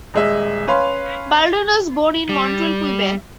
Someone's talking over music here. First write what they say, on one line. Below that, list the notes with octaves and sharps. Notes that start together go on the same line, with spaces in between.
Baldwin was born in Montreal, Quebec.
D#1 G#3 E5
C#4 B4 F5 C6
G3